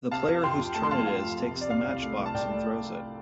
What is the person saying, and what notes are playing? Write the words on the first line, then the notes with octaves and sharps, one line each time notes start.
The player whose turn it is takes the matchbox and throws it.
C3 F5 A5
F2
C3 G5 C6
F2
A3 A5
C6
F2 F5 A5
F2 F5
F2
C3
C3
D5
C2 F5
C2
A3
C2
A5
C2 D5 G5
A3